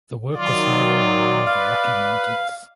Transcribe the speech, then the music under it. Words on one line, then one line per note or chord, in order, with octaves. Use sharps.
The work was mainly along the Rocky Mountains.
D#3 F#3 F4 D5 D#5
B4 F5